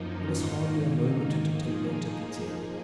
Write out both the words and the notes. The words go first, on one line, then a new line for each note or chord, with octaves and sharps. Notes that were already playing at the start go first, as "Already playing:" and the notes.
There was hardly a moment to take their tickets in.
Already playing: F#2 F3 A#3 D#4
G#2 D#3 A#3 D#4
F3 A#3 D#4 G#4